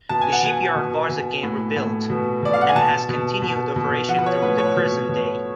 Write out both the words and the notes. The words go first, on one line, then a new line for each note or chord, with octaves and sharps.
The shipyard was again rebuilt, and has continued operation through the present day.
B2 A5
G#5
F#5
B2 G#5
B2
B2
A2
A2
B2
B2 D5
F5
F#5
G#5
B2 A5
B2
B2
B2
F3 F#5
B4
C#5
A2 B4
C#5
B2
B2